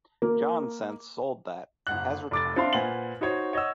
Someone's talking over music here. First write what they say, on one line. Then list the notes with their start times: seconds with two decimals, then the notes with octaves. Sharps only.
John since sold that and has retired.
0.22 A#3
1.87 F#1 F#5 F#6
2.31 F1 D6 A6
2.56 C4 D4 E5 F5 C6
2.73 A#2 B4 C5 F#5 G#5 F#7
3.21 D#4 F#4 C5 C#5
3.53 C#5 D#5 F#5 E6